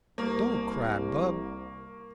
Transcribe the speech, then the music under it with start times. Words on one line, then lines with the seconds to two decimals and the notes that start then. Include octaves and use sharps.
Don't cry, bub.
0.18 C2 G3 A#3 C#6